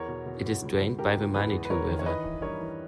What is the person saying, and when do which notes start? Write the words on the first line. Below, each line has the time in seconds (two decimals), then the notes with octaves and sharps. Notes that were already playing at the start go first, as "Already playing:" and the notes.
It is drained by the Manitou River.
Already playing: E2 A#4 C#5
0.08 B2
0.26 B2
0.44 E2
0.62 C#2
0.80 C#2
0.98 C#2 G4 A#4
1.16 C#2
1.34 E2 G#4 B4
1.52 E2
1.65 B4
1.70 E2 A#4 C#5
1.88 D#3
1.99 C#5
2.06 E3 B4 D#5
2.24 E3
2.42 G2 A#4 C#5
2.60 E3